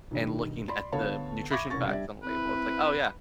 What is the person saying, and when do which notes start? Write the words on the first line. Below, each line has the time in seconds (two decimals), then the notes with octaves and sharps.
and looking at the nutrition facts on the label, it's like, "Oh, yeah,
0.11 B1 G2 D#3
0.68 D5 B5 C6
0.92 D2 B3 A4 C#5 F5 A5
1.51 E5 B5 C#6 D6 G#6 A#6
1.70 E1 C2 C#4 C#6 A6
1.87 G3 D4 D5 E5
2.23 C4 E4 B4